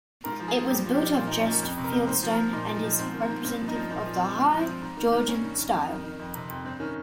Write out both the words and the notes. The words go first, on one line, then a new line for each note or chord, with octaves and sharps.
It was built of dressed fieldstone and is representative of the high Georgian style.
G#2 A#4
F3
G#4
F3
G2 G4
F3
G4
F3
A#2 F4
D#4
F3
C#4
F3 A#3
F2
C3
A#4
F2
G#2 C5
F3
A#4
F3
A#2 D#4
F3
D#4
F3
G#2 C4
D#3
A#3
D#3
G2 C4
F3
D#4
F3
A#2 D#4
F3
C4
F3
G2 G#3
F3
C4
F3
G#2
D#3
D#3
G2 C#4
D#3
D#3
F2
D#3
D#3
F2
C3
F2
G2 C4
D#3 C#4